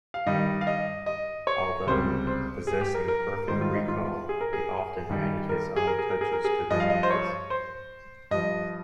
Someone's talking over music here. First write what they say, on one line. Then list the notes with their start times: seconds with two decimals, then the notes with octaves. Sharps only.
Although possessing perfect recall, he often added his own touches to the images.
0.14 F5
0.26 G2 D#3 G3 D#5
0.61 F5
0.67 D#5
1.06 D#5
1.47 C#5
1.87 C#2 C3 G3 C5
2.27 C5
2.67 G#4
2.81 G4
2.95 A#4
3.08 A#4
3.37 A#4
3.48 G#2 D#3 G3 C5
3.61 F4
3.75 D#4
3.88 F4
4.29 G#4
4.41 A#4
4.53 G#4
5.09 G2 D#3 G3
5.49 A#4
5.76 G#4
5.87 A#4
5.99 G#4
6.10 A#4
6.21 G#4
6.33 A#4
6.45 G#4
6.70 G2 F3 D#5
6.80 F5
6.90 D#5
7.03 C5
7.10 C#5
7.50 C5
8.31 G2 F3 D#5